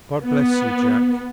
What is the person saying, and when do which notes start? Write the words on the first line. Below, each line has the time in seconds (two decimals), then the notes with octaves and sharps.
God bless you, Jack.
0.24 B3